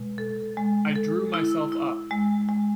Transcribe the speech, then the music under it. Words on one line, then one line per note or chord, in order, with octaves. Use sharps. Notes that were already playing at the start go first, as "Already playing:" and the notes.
I drew myself up.
Already playing: B2 G#3
A4
G#3
A4
E4
E4
G#3
G#3